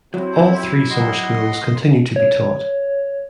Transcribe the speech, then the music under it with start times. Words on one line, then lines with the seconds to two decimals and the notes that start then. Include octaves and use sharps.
All three summer schools continue to be taught.
0.14 C3 F#3 C4 E4
0.90 D#5 F#5 C6
2.16 C#5